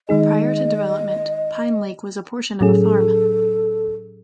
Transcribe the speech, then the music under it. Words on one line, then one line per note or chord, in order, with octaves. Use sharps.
Prior to development, Pine Lake was a portion of a farm.
D#3 G#3 D#4 G#4 D#5
A2 F#3 C#4 G#4 A4